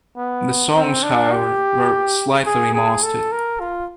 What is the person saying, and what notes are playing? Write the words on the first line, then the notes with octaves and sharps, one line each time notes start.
The songs, however, were slightly remastered.
B3
C4
D4
G4
G#4
G#4
A4
A#4
F4